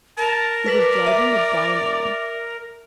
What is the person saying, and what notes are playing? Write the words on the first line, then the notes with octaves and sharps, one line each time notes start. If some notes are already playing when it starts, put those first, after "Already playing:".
He was driving a Dino.
A#4 A5
B4 D5 B6 F#7
E5 F7